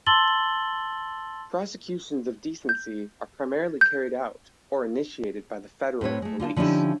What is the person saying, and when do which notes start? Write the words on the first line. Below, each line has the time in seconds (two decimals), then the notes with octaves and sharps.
Prosecutions of decency are primarily carried out or initiated by the federal police.
0.06 A5 C6 E6 A6 F#7 G7
2.69 G6
3.81 G6
6.01 A2 C4 B4 C#5
6.22 G#3 A3
6.40 D3 F4 F5 A5
6.56 D3 F3 C#4 D#4 E4 G4